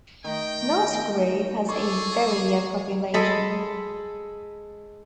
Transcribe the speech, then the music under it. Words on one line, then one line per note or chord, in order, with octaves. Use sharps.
Nutgrove has a very young population.
D#3 A3 D#5 G5
G#4 A4 C#6 D6
G#3 A4 D#5 B5